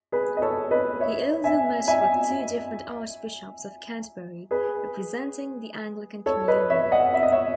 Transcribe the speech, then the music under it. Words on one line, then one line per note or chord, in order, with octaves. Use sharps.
He also met with two different Archbishops of Canterbury representing the Anglican Communion.
G#4 B4
D#5
A4 C#5
B4 D#5
C#5 E5
E5 G#5
E5 G#5
G#4 B4
A4 C#5
B4 D#5
C#5 E5
D#5 F#5
E5
D#5
C#5 E5